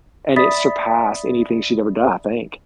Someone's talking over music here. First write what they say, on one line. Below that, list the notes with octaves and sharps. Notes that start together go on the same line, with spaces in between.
and it surpassed anything she'd ever done, I think.
D5 E5 B5 D#6 A6 B6